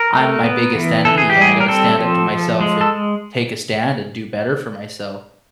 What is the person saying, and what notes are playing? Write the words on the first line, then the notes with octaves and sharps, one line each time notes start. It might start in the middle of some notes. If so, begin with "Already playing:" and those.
"I'm my biggest enemy, and I gotta stand up to myself and take a stand and do better for myself."
Already playing: A#4
A3
B3
E3
E3 A4
G#4
G4
G3 G#4
A#4
C4 A4
F3
F3
G#3
A4